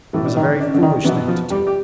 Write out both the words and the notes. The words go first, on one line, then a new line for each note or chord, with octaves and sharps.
It was a very foolish thing to do.
A2 E3 A3
D4
D#3 D#4
D4
C#4
D3 D4
D#3 D#4
B2 E3 F#3 B3 E4
F3 F4
G3 G4
G4